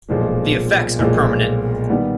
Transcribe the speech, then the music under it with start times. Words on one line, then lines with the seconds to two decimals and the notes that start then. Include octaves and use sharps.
The effects are permanent.
0.09 B1 A#2 F3 G#3
0.99 B1 A#2 F3 G#3
1.89 D#3 G3 B3